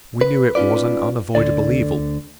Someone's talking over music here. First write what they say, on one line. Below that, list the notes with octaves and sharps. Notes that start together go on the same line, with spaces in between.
We knew it was an unavoidable evil.
B4
C#4 D#4 F4 B4 D5
D2 D3 D5